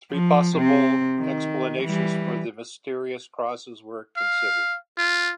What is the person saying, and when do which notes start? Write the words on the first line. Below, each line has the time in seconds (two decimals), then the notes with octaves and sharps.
Three possible explanations for the mysterious crosses were considered.
0.11 F3
0.56 C3 C4
1.20 D#3
1.82 E3 G3
4.17 F5
4.98 F4